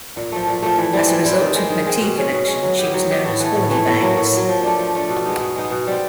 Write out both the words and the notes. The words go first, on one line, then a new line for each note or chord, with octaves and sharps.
As a result of her tea connection, she was known as "Hornibags".
A#2
F3 A3
A#2
F3 A3
E3
G3 C4 E4
E3
G3 C4 E4
D#3
G#3 C4
D#3
G#3 C4
B2
G#3 C#4
B2
G#3 C#4
F#3
B3 E4 G4
F#3
B3 E4 G4
A2
E3 A3
A2
E3 A3
A2
F#3 A#3
A2
F#3 A#3
F3
A3 D4
F3
A3 D4
B2
G#3 B3 D#4
B2
G#3 B3 D#4
B2
G3 C4